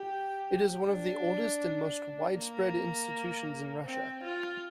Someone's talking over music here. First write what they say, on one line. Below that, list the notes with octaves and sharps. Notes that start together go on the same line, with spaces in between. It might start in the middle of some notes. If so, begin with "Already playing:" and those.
It is one of the oldest and most widespread institutions in Russia.
Already playing: G4
D4
A#3
C4
F4